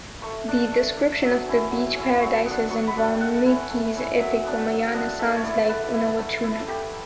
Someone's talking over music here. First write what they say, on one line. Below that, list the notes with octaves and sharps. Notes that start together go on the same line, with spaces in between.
The description of the beach paradises in Valmiki's epic Ramayana sounds like Unawatuna.
A3 C#6
D4
A3
D4
F#3
C#4 E4
F#3
C#4 E4
F#3 C#6
B3 D4
F#3 C#6
B5
B3 D4
G5
A3 F#5
C#4 E4
A3
C#4 E4
F#3 E5
B3 D4
F#3
B3 D4
A3 E5
D5
C#5
E4 D5
A3 B4
E4
A3
E4
A3 G4